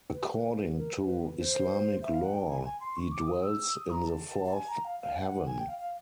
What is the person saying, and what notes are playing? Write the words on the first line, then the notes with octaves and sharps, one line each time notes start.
According to Islamic lore, he dwells in the Fourth Heaven.
B4
A#4
B4
B4
C5
E5
F5
F#5
G5
G#5
G#5
C6
C#6
D6
D#6
E6
E6
D#6
A#5
A5
A5
G#5
A#5
F5
F5
F#5
G#5
G5
F5
F5